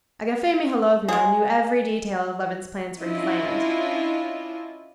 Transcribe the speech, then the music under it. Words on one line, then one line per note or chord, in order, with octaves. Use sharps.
Agafea Mihalovna knew every detail of Levin's plans for his land.
G#3 G#4
C#4 D4 E4 F4 D#5